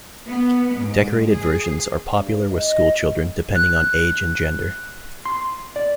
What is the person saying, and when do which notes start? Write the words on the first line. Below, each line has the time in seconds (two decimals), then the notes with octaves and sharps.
Decorated versions are popular with schoolchildren depending on age and gender.
0.28 B3
0.75 G#2
1.29 G#4
2.11 G2
2.51 D#5
3.55 F#6
5.25 C6
5.76 D5